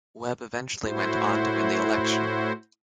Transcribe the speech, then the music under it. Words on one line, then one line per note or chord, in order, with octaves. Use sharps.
Webb eventually went on to win the election.
A2 E4 F#4 C5